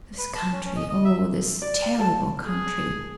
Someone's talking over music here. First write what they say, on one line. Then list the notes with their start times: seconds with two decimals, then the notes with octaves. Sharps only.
This country, O this terrible country!
0.18 B4
0.35 A5
0.52 C#4
0.65 C#4
0.76 D#5
0.90 D#5
1.04 E5
1.62 D5
1.99 A4 A5
2.45 G#4